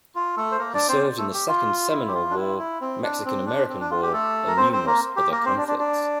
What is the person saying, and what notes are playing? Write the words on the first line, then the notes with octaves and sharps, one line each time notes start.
He served in the Second Seminole War, Mexican-American War, and numerous other conflicts.
F4
A3 A4
C5
A#3 A#4
D4 D5
C4 C5
A3 A4
G4
F4
E4
G4
F4
D4
E4
E4
C4
D4
C4
D4
C4
D4
F4
G4
A3 A4
A#4
C4 C5
C4 C5
A#3 A#4
G4
A#3 A#4
C4 C5
D4
D4
D4